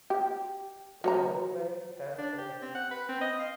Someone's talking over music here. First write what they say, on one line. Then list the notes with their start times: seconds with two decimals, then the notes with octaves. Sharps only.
The aeroplane passed overhead.
0.10 G4
1.04 F#3 C#5 A#5
2.18 D4
2.38 G4
2.62 C4
2.75 F#5
2.91 B4
3.09 C4
3.21 D#5
3.39 F5